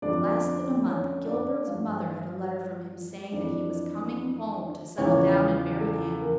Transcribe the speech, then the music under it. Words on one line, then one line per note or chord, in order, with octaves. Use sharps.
In less than a month Gilbert's mother had a letter from him saying that he was coming home to settle down and marry Anne.
F2 D3 F3 D4 D5
C#4 C#5
D4 D5
G2 F3 F4 F5
F2 E3 D4 D5
E2 C#3 F3 C#4 C#5
A4
A#3 A#4